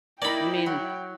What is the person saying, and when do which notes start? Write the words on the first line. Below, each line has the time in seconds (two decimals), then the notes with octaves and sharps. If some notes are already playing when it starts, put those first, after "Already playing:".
I mean,
0.22 A#3 D#4 E4 A#4 D5 G5 B5
0.66 F#3